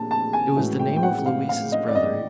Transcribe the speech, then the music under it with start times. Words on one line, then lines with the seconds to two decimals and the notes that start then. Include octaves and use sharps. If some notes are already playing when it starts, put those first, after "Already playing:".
It was the name of Louise's brother.
Already playing: A#2 G3 A#3 D4 A5
0.11 A5
0.33 G#5
0.56 A2 E3 G#3 C#4 F#4
0.79 G5
0.96 G5
1.03 F#5
1.26 F5
1.49 F5
1.72 D#5
1.88 D5
1.95 D#5